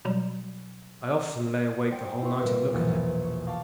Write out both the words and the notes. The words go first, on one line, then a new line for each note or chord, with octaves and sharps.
I often lay awake the whole night and look at it.
B2 F#3 G3
C5 G5
E4 F#4 B4 C6 C#6
A#2 G3 C#7 D7 E7
E1 A#1 E2 B2 A6 C#7
C#6 C#7
F5 A5 C#6 D6 A6